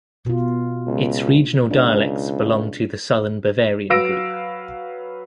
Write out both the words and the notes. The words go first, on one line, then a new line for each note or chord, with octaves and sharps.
Its regional dialects belong to the Southern Bavarian group.
B2 F4
C#2
C#2 D4
F#3 B4 F5 E6 A#6 D7